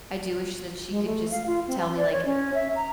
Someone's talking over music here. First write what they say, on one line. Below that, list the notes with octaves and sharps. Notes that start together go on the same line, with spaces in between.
I do wish that she could just tell me, like
G#3
A3
F5
F4
C4
C6
D5
C#5
C#4
E5
A#5